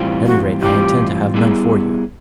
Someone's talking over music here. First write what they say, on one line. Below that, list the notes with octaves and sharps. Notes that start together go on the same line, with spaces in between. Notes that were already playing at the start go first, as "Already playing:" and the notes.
At any rate, I intend to have none for you.
Already playing: A2 E3 G3 C4 F4
F#4
A2 E3 G3 C4 F4 G4
G3 B3 E4 G#4